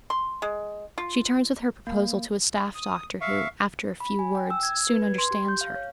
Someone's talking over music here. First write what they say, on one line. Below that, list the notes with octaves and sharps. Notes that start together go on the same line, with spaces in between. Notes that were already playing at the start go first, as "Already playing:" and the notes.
She turns with her proposal to a staff doctor who, after a few words, soon understands her.
C6
G#3
F4
A#3
D#6
E5 F5 C#6
B5
G#5
G5
E6
G#6
B4
G#6
C6
G4
G6
F5
C#5